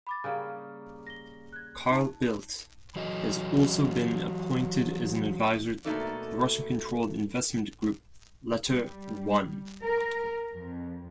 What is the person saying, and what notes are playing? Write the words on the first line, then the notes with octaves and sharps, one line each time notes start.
Carl Bildt has also been appointed as an advisor to Russian-controlled investment group LetterOne.
B5 D6 A6
C#3 G3 A#3 G#5
A#6 G7
F#6 G#6
D#4 A5
E3 F#3 D#5
B2 A3 A#3 D#4 A4 D5
G3
A#4
F2